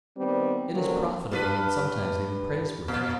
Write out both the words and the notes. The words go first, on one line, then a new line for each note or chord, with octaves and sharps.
It is profitable and sometimes even praiseworthy.
D#3 G3 B3 C4
D3 F#3 G3 A#3 C4 C#4
G2 F4 B4
A#2